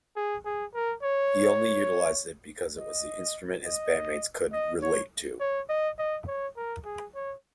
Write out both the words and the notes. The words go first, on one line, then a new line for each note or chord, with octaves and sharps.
He only utilized it because it was the instrument his bandmates could "relate to".
G#4
G#4
A#4
C#5
D#5
D#5
D#5
C#5
C#5
D#5
D#5
C#5
A#4
G#4
C#5